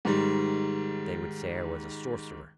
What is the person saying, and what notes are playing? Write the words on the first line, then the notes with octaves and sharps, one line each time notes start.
'They would say I was a sorcerer.
G#2 D#3 G3